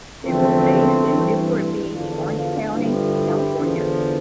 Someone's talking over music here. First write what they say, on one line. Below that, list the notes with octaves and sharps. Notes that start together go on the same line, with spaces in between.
It was based in Newport Beach, Orange County, California.
E2 D3 F3 A3 C4
G2 E3
E2 D3 F3 D4 F4
D4 F4
G2 D3 F3 E4 G4
E2 D3 F3